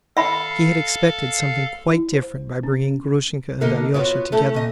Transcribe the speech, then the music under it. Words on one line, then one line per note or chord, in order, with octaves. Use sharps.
He had expected something quite different by bringing Grushenka and Alyosha together.
A4 E5 F5 B5
E4
C5
C#4
D3 A#3 D#4 A#4
B3 F4 F#4 C#5
A3 C#4 E4 A4
A#2 D#5